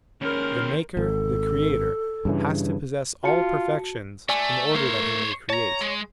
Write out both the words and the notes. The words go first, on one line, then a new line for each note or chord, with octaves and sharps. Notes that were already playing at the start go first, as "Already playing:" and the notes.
The maker, the creator, has to possess all perfections in order that he may create.
D#2 C#4 G#4 A#4 C5 B5 F6
G#1 A4
G2 C#3 E3
F4 F#4 A5 C#7
A3 D5 G#5
A3 A#4 C5 C#5
C#5 A5 A#5
G#3